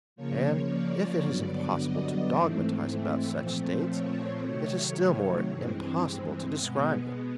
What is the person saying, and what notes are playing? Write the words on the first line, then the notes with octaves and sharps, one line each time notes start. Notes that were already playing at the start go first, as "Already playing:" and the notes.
And if it is impossible to dogmatize about such states, it is still more impossible to describe them.
C#3 F3 A#3 C#5
D5
G2 D3 F#3 B3
D#5
G#2 E3 A3 C4
A#2 F3 A3 C4
C#5
C3 D#3 F#3 A3
G2 E3 G#3 C4
B2 G#3 B3